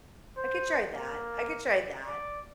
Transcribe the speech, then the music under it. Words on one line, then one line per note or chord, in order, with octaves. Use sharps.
I could try that, I could try that.
C5
A#3
D5